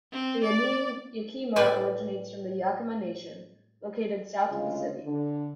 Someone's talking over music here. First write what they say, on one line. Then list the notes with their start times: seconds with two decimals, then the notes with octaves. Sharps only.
The name Yakima originates from the Yakama Nation, located south of the city.
0.12 C4
0.43 D5
1.56 A2 G3 B4 D5 G#5
4.49 D2 C#3 G#3 F4 G#4 D#5
5.04 D3